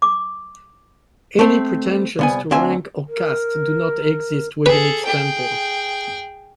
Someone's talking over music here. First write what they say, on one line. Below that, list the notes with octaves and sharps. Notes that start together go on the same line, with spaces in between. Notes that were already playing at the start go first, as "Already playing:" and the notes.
Any pretensions to rank or caste do not exist within its temple.
D6
A3 C4
C2 B3 G#5
D2 C4 E5 G#5
A#4
G#4 A4 B4
G#4 G5